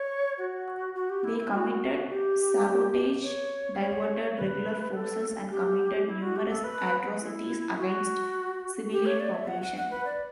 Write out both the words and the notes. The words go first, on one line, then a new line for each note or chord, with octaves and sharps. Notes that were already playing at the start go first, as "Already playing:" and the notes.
They committed sabotage, diverted regular forces and committed numerous atrocities against civilian population.
Already playing: C#5
F#4
F#4
G4
E4
E4
F#4
G4
C#5
C#5
B4
A4
G4
E4
F#4
G4
A4
B4
E4
F#4
G4
C#5
D5
E5
F#5
F#5
F#5
B4
D5